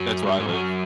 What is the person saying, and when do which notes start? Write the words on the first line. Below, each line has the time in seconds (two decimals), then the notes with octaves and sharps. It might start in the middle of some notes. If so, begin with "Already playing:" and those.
That's where I live,
Already playing: F#2 F#3
0.23 G#3
0.27 G2 G3
0.40 G#2 G#3
0.49 F3
0.53 F#2 F#3